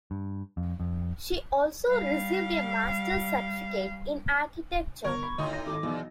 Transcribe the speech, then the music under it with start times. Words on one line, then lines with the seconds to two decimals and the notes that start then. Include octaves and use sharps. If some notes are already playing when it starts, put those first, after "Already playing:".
She also received a Master's certificate in Architecture.
0.11 G2
0.57 F2
0.80 F2
1.88 G3 F5
5.04 G1 A#4 C#6 G#6
5.23 B5
5.38 D2 A2 D#4 D#6
5.53 A#6
5.66 G#1 A4 D6
5.83 B1 E2